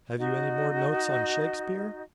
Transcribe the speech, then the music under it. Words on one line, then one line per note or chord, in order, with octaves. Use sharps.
Have you any more notes on Shakspeare?
D#4 F#4 D#5